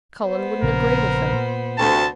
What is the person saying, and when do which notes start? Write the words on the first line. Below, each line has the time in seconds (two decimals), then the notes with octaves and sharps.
'Colin wouldn't agree with them.
0.25 B3 C5
0.62 A#1 C#3 A#3 A#4
1.33 A#2
1.78 D2 C3 A5